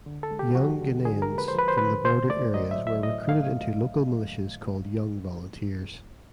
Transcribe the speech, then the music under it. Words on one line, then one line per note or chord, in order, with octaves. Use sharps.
Young Guineans from the border areas were recruited into local militias called Young Volunteers.
D3
A4
G#3
G4
F3 F#4
D3
D3 G#4
A#4
G#3
B4
C5
F3 B4
C5
D3 B4
A2 C5
A3 D5
F#3 D#5
E5
A2
E5
A2 D#5
A3 F5